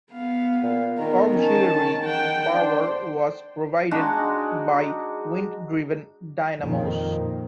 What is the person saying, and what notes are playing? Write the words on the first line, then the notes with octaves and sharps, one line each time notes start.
Auxiliary power was provided by wind-driven dynamos.
B3 F5
A#2
D#3 B3 A#4
C#4 A5
F#5 G5
D4 C5
G#3 D4 D#4 F#4
F2 A#2 D#3